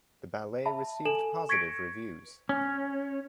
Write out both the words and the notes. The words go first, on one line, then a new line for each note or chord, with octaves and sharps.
The ballet received positive reviews.
E5 A5 B5
A4 G#5 E7 F#7
C#6 G#6 A#6 B6 C#7 D7
C#4